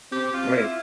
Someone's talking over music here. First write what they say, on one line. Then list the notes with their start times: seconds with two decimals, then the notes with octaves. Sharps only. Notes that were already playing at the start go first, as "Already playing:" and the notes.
I mean,
0.12 C4 G4
0.33 F4
0.55 E4